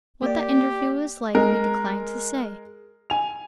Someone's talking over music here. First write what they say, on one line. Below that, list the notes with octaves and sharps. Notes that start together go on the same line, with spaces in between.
What that interview was like we decline to say.
A#3 G4 D5
G#3 A#4
G#5 F7